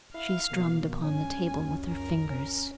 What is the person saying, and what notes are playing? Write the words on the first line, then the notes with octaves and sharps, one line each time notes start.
She strummed upon the table with her fingers.
E4 F5
B2 D#3 F3 A#3
G2 C#4 G#5
C#2 F#2
A#4
C#4